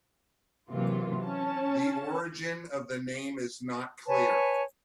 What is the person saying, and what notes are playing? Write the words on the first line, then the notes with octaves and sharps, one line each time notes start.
The origin of the name is not clear.
C3 E3 F#3 A#3 F4
C#4 A5
B4 C#5 G#5 A5